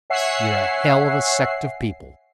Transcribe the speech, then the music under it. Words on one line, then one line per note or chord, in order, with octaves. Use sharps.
You're a hell of a sect of people.
C#5 E5 F#5 G#5 C7